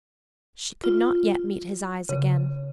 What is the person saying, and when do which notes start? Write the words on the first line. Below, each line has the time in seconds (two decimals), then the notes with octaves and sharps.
She could not yet meet his eyes again.
0.84 F4
2.09 C#3